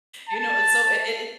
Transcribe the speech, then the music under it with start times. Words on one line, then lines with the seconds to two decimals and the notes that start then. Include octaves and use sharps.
You know, it's so it it
0.29 A5